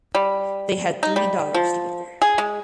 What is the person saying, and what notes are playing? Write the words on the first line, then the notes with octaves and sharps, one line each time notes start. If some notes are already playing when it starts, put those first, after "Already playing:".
They had three daughters together.
G3
D#4
G3
F3
G#4
G#3